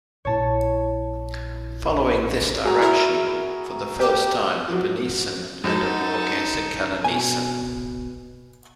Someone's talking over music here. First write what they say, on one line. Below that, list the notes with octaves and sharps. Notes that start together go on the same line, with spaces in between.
Following this direction, for the first time the Venneesan led a war against Kalineesan.
A#1 A#2 E4 C#5 A5
F#4 G#4 A#5
E4 A#4
G4
F3 F#3
F#2 F#3 D#4 A4
B2 G#5